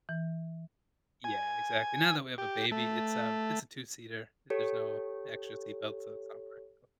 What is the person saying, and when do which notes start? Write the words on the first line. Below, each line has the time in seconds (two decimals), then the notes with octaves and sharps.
Yeah. Exactly. Now that we have a baby, it's um, it's a two-seater. There's no extra seat belt, so it's not practical.
0.09 E3
1.24 G#5
2.38 G4
2.72 A3
4.50 G4 A4 C#5